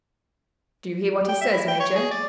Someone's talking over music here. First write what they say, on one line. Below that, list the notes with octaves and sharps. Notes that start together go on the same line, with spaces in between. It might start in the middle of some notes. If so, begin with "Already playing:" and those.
"Do you hear what he says, major?"
G5
E5
E4
G5
C#5
G#4
D5